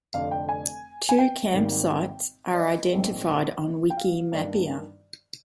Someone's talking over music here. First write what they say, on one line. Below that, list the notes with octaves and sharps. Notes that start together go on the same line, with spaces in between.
Two campsites are identified on Wikimapia.
F1 F2 D3 F5
G5
G#5
G#5
G5
G#1 G#2 G3 A#3
D5
D#5
A#1 G#2 D#3 G#3 C4
G5
F5
G2 D#3 A#3 D4